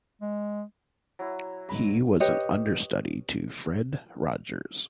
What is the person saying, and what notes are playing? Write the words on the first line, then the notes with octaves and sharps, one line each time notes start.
He was an understudy to Fred Rogers.
G#3
F#3 E4
G#2 A#5 B5
G4 B4 C#5 D#5